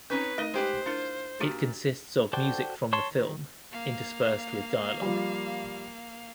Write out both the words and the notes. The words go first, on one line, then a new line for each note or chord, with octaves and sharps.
It consists of music from the film, interspersed with dialog.
C4 C#4 D#4 B4 C#5
A3 D#4 A#4 D#5
G#3 G4 B4 C5
D4 E4 F4 A#4
A#2 D4 F#4 G4
F#4 A4 C5 D5 G5
C#5 A5 C6
D#3
A#3 F5
F3 G3